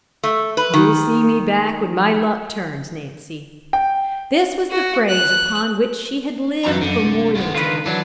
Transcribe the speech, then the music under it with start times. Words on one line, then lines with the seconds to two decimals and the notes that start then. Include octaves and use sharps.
"You'll see me back when my luck turns, Nancy;" this was the phrase upon which she had lived for more than ten years.
0.24 A3
0.57 B4
0.74 D#3
3.73 G5
4.70 F#4
5.08 F#6
6.66 F#2 E3 F3 F#4 A#5
6.82 F#2 D3
7.04 C2
7.35 G2 B3
7.55 D3 D#3 F4 B4
7.86 E3 F#3 D4